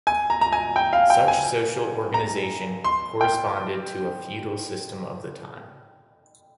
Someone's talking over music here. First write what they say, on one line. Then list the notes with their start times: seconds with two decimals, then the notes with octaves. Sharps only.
Such social organization corresponded to a feudal system of the time.
0.07 G#5
0.30 A#5
0.41 A#5
0.52 G#5
0.76 G5
0.93 F5
1.10 G5
1.28 G#5
2.14 A#5
2.84 C6
3.21 G5